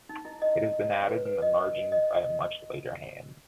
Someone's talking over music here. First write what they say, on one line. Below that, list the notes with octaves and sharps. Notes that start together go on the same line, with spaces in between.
It has been added in the margin by a much later hand.
D#4
E4
D#5
C#5
B4
B4
D#5
D#5